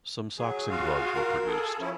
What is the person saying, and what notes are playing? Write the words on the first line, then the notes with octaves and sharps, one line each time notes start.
Some socks and gloves were produced.
F#3 G#4
F4 F#4 F5
A#4
G#4 A4
F3 C#4 E4